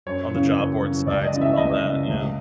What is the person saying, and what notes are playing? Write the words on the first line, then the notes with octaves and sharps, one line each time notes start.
On the job board sites and all that, yeah.
F#2 C#5
C#3 E3
F#2
C#3 E3
C#2 D5
D#5
C#3 E3
E5
C#2 D#5
C#3 E3
C#2